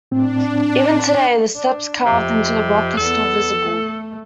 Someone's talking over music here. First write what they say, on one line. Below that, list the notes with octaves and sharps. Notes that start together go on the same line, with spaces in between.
Even today, the steps carved into the rock are still visible.
A2 C4 D4
D4
F2 C3
E2 B3 A4
A3